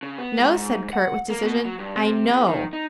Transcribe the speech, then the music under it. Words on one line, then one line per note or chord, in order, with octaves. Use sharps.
"No," said Kurt with decision, "I KNOW."
C#3
B3
G#2
F#5
A#3
B2
F#3
G2
C3
E2
D#3
D#4